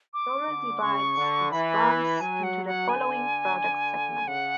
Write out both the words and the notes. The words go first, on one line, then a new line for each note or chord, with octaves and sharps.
Dorel divides its brands into the following product segments.
D6
D3
C#3 C#6
D3
E3 B5
F#3 G#5
F#5
F#5
D3 G#5
C#3 F#5